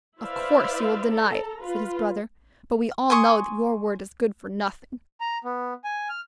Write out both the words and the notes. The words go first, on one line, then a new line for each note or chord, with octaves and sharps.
"Of course you will deny it," said his brother, "but we all know that your word is good for nothing."
E4 B4 C5 D5 E5 F5
A4 A#5
F4 B4
G#5 C6 C#6 D#6
A#5
B3
G#5
F6